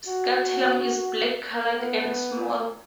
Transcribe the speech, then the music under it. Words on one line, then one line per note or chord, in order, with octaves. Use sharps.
Scutellum is black colored and small.
F#4
B3